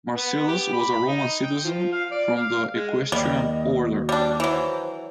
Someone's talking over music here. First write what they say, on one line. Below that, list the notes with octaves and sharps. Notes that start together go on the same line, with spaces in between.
Marcellus was a Roman citizen from the Equestrian order.
B3
G4
B5
D#4
G5
F3
F5
D5
F5
G#3
D#2 G3 D#5
F#4
G3 D4
E3 F#3 C5